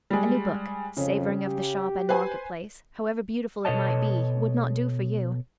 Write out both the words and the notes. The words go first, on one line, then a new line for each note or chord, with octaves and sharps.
A new book, savouring of the shop and market-place, however beautiful it might be, would not do for you.
G3 G#3
F2 C#3
G4
B4 C5 G#5
B2 A4 C#5 D#5 A5